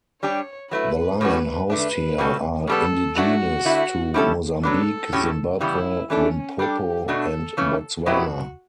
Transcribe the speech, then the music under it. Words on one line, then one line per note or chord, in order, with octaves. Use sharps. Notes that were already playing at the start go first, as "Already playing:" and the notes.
The lion housed here are indigenous to Mozambique, Zimbabwe, Limpopo, and Botswana.
G3 D4 G4 C#5
F#3 A3 E4 B4
A2 G3 C#4 F#4 B4
D3 A3 D4 B4
B2 G3 C#4 F#4 A4
C#3 G3 B3 A4
F#3 A3 D4 F#4 A4
D3 A3 E4
G3 C#4 E4 A4
F#3 B3 D4 A4
A2 F#3 C#4 G4
C#3 E3 G3 B3 E4
E3 A3 C#4 D4 A4
G3 D4 G4 A4
B2 A3 D4 F#4 A4
C#3 E3 A3 C#4
B2 F#3 B3 E4 F#4 G4